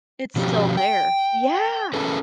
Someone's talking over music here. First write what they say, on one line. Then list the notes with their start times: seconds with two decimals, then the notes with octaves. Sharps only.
It's still there, yeah.
0.36 B2 F3 C#4 F#4 G4
0.77 G5
1.94 C#4 G#4 A4 B4